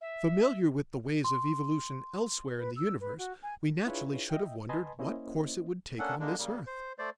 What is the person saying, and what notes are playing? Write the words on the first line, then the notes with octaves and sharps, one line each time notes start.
Familiar with the ways of evolution elsewhere in the universe, we naturally should have wondered what course it would take on this earth.
E5
C6
B4
E6
B4
F#4
G#5
D4 E4 F4 G#4 B4 C#5
D#5 E5 G5
B4 D#5 G#5 A5 B5 C6
A#3 C#4 E4 C5 D#5
A#3 C#4 D4 A4 F#5
D3 G#3 A#3 D4
C#3 G3 A#3
C5
A3 C5 D5